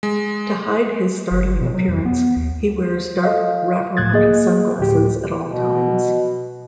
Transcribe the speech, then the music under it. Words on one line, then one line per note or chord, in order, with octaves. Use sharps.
To hide his startling appearance, he wears dark wrap-around sunglasses at all times.
G#3
G1
B2
F#3
F2
B3
D#2
A4 D#5 F5
C#2 A2 F#6 G#6 A6
A#3 G#4 D#5
D2 A2 G4
B2